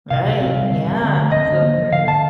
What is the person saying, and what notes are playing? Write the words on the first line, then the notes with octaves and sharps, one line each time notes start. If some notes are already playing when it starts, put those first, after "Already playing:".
Right, yeah, so true.
C3 F5
C3
C4
G3
D3
D3
C4
A3
D3 D#5
D4
A#3
F3
D3 F5
D3 A5